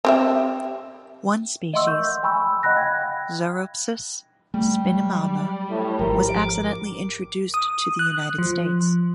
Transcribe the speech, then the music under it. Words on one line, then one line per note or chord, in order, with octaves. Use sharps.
One species, "Zoropsis spinimana", was accidentally introduced to the United States.
C4 G4 E5
D#5 E5 F#5 C6 C#6 E6
A#4 C#6 G6
G5 G#5 B5 C#6 E6
D#5 F#5 B5 F#6 A#6
F5 G5 G#6
G3 A3
F#3
A2
G#1 F3 A#4
D6
D#6
F#6
F3